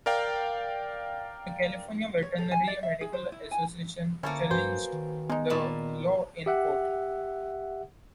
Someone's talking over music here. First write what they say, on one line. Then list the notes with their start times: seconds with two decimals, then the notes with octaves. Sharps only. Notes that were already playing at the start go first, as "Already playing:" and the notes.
The California Veterinary Medical Association challenged the law in court.
0.06 A#4 D5 F5 G5
2.22 C#5
2.38 A4
2.51 G#5
2.67 D5
2.83 E5
3.01 G#4
3.13 C5
3.32 E4
3.51 G#5
4.23 D3 F3 A#3 C#4 E4 A4 C#5
4.51 G2 F#4 B4 C5 G#5
4.93 D#3
5.30 G#3 B3 D#4
5.50 A#2 A5 B5
6.46 G4 E5 F#5